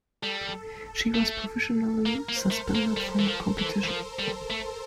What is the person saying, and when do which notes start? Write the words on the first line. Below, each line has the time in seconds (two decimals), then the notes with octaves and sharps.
She was provisionally suspended from competition.
0.22 G3 A4
1.14 A3
2.06 A#3 A#4
2.29 A#3
2.36 C5
2.51 A3
2.67 A4
2.75 A#3
2.97 G3
3.19 E3
3.28 F3
3.59 E3
3.84 E3
3.89 F3
4.19 G3
4.50 A3